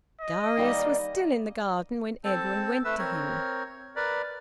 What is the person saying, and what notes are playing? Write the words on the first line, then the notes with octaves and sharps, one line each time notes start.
Darius was still in the garden when Edwin went to him.
D#5
D#3 G3 A#3
C4 A4 A5
A3 B4 E6
C4 A#4 C#5
A#4 B4 D5